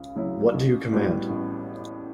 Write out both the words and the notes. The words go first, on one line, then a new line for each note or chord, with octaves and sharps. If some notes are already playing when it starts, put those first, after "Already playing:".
What do you command?
Already playing: C#2 C#3
C#3 F#3 C#4 E4
A1
A2 G3 B3 F#4
A1